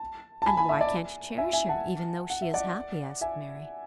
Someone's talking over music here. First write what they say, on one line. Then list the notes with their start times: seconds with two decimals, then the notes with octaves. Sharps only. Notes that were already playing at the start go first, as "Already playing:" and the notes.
"And why can't you cherish her, even though she is happy?" asked Mary.
Already playing: A5
0.42 A5
0.46 G#5 B5
0.57 G#5 B5
0.69 E5
0.81 D5
1.38 E5 G#5
1.53 E5 G#5
1.69 F#5 A5
2.30 F#5
2.42 E5
2.54 D5 F#5
3.21 E5 G#5